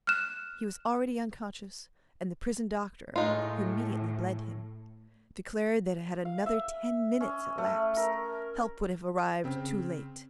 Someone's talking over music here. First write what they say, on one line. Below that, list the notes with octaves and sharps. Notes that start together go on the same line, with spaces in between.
He was already unconscious, and the prison doctor, who immediately bled him, declared that had another ten minutes elapsed, help would have arrived too late.
F6 F#6 E7
A2 G#3 D#4 F4
F5
E5
C#4
A3
A#4
C#3 C4